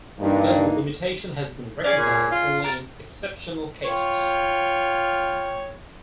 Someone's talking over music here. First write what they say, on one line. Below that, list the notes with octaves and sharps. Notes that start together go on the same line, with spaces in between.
But the limitation has been recognized only in exceptional cases.
G2 E3 A#3 D#4
C#4 G#4 D5 G#5
A#2
F4
A#4 A5
F4 C#5 G5